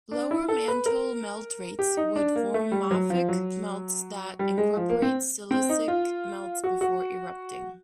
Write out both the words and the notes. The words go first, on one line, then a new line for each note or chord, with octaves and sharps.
Lower mantle melt rates would form mafic melts that incorporate silicic melts before erupting.
D4
E4
A4
B4
A#4
G4
D#4
D4
A#3
A3
G3
F#3
F3
F#3
G3
G#3
F3
A#3
C4
C4
D#4
F4
F#4
F#4